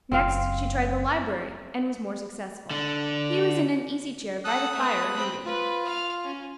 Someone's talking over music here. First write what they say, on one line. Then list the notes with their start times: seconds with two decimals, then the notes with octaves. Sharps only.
Next she tried the library, and was more successful; he was in an easy chair by the fire, reading.
0.12 F#1 C4 F4 F5
2.71 D3
4.44 A4 F#5 D#6 F#6
4.74 A3 B3
5.15 C4 B5
5.45 F4 B4
5.85 F5 F6
6.24 C#4